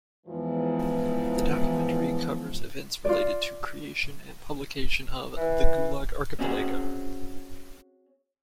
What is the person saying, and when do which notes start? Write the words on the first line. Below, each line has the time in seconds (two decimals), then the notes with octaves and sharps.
The documentary covers events related to creation and publication of "The Gulag Archipelago".
0.27 E2 G#2 E3 F3
3.05 F4 D5
5.37 E3
6.39 C4 C#4 F#4 G#4